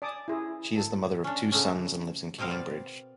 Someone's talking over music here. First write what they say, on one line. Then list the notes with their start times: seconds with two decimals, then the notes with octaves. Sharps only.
She is the mother of two sons and lives in Cambridge.
0.02 D5 G#5 A5 D6 D#6
0.28 E4 G#4
0.76 A4
1.24 C#4 D4
1.52 C#3 A3 B3 C#4
2.38 B2 B3 C4 A#4 F5
2.51 D5